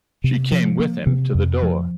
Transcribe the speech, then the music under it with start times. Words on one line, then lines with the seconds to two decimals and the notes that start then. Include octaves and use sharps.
She came with him to the door.
0.24 C3
0.52 F3
0.79 A#3
1.07 C3
1.35 F2
1.62 F3